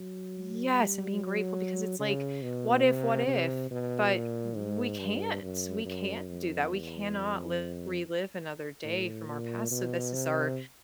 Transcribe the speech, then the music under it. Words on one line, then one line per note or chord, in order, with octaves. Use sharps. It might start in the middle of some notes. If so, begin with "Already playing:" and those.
Yes, and being grateful because it's like, "What if? What if?" But we can't, we can't do that, we cannot live relive another day from our past, so this is our
Already playing: F#3
G3
F#3
C#3
B2
C3
C3
B2
A#2
G#2
G2
F#2
F#2
F2
E2
F2
A2
A#2
B2
C3